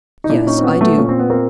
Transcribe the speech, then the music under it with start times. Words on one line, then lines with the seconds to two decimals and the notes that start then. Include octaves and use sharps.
"Yes, I do."
0.24 D#4
0.30 A#2 D4 E4
0.47 C#4 D#4
0.59 C4
0.64 B3 C#4
0.81 A3 B3
0.98 A#2 C#4
1.09 C4
1.19 B3
1.30 A#3 C4